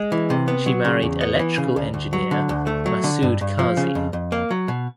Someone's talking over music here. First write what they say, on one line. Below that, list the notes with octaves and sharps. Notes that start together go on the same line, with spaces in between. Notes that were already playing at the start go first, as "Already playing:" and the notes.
She married electrical engineer Maqsood Kazi.
Already playing: G#3
E3
C3
B3
F#3
C#3
E2
B3
E3
C#3
D2
D2
F#3
D3
D2
A3
F#3
D3
G2
G2
F3
C#3
F2
F2
A#3
F#3
B2